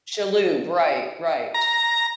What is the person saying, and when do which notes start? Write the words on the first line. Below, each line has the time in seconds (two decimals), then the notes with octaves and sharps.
Shalhoub, right, right.
1.54 A#5